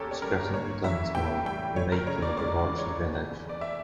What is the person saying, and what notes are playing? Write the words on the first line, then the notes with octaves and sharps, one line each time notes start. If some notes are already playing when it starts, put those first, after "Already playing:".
"Stretton on Dunsmore: The Making of a Warwickshire Village".
Already playing: E2 C#3 A#3 G4 A4 A#4 C#5
C#5
G3 A#4
A#3 C#5
E3 E5
A2 G5
G3 G5
A3 C#5
A#4
C#3 C#5
D5
C#2 D5
D5
E3
C#5
F1
E2
D5
E5